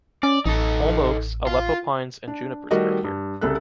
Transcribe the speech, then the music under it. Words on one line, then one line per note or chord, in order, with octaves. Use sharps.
Holm oaks, Aleppo pines and junipers grow here.
C#4 D5
A1 D#4 A4
F4
D4
D#3 G3 A3 F#4 A#4 D#5
G2
C2 C#3 A4 F#6